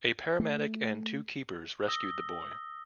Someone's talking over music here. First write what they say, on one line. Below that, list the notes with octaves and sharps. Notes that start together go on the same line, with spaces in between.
A paramedic and two keepers rescued the boy.
A3
D#6 E6 A#6 G7